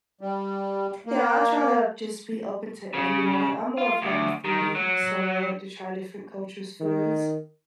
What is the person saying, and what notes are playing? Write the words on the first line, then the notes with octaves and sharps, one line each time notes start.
Yeah, I try to just be open to everybody, I'm more of, like, a foodie, so I like to try different cultures' foods,
G3
A#3
C#3
F4
D2
D#3
F#3
D#3